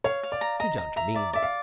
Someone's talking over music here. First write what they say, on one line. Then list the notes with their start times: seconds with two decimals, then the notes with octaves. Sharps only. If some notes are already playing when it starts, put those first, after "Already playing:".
"You don't mean--?"
0.04 C#5 F5
0.23 F5
0.32 D5
0.41 A#5
0.60 D#5 A#5
0.78 D#5 A#5
0.96 E5 A#5
1.15 D5 E5
1.33 D5 E5
1.43 F5